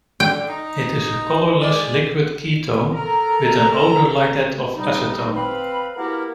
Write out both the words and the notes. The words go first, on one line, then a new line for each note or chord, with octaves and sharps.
It is a colorless liquid ketone with an odor like that of acetone.
D3 G5
D#4
G#3 D5
A4 A#4 A#5
C3 G3 D#4
C4 B4 F5 B5
A#3 B3 E4 F#4 G4 A#4